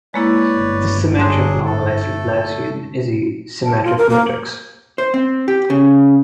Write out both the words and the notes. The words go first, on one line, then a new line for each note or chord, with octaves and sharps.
The symmetric normalized Laplacian is a symmetric matrix.
G#3 A#3 E4 B4 C#5 D5
G1
D3 F#3 D4 G#4 A5 C6
A3 A4
A5
F4
A#4
A#3
C5
C4
G4
C#3